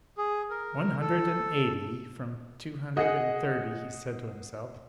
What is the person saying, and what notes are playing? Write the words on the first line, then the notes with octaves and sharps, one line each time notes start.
"One hundred and eighty . . . . . . . from two hundred and thirty," he said to himself.
G#4
A#4
A4
F#4 G#4 D#5 F#5